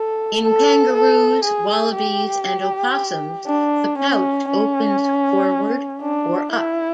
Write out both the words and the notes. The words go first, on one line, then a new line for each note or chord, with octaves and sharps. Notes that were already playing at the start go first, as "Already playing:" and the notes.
In kangaroos, wallabies and opossums, the pouch opens forward or up.
Already playing: A4
A4
A4
G#4
G4
D4
C#4
C#4
D4
E4